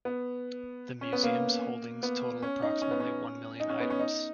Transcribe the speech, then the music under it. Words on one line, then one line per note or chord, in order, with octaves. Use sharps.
The Museum's holdings total approximately one million items.
B3
C#4
B3
A#3
B3
C#4
D#4
C#4
B3
C#4
D#4
C#4
B3
C#4
D#4